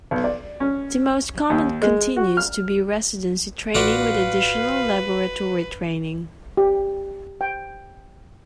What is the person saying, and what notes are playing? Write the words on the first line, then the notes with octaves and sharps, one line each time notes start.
The most common continues to be residency training with additional laboratory training.
B1
D5
C#4
D#2
G#3
F#4
F6
A1 F4 F#4 B4 D5 F5
G4
G5